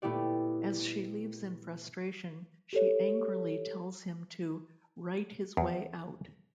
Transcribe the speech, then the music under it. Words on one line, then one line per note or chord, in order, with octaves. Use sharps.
As she leaves in frustration, she angrily tells him to "write his way out".
A#2 A3 B3 E4 G4 D5
G4 A4 C#5
E2